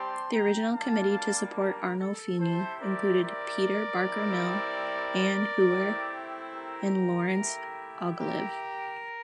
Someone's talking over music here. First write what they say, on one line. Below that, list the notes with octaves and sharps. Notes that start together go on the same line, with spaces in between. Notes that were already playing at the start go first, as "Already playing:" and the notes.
The original committee to support Arnolfini included Peter Barker-Mill, Ann Hewer, and Lawrence Ogilvie.
Already playing: G3 C4 G4 A5 C6
G5 A#5
G3 A#3 D4 F5 A5
G4 A#4
A4
C4 E4 G4 A4 C5
A#4 D5
A#4 D5
G3 C4 E4
A3 C4 E4 G4
G4 A#4
A3 E4 G4
G4 A#4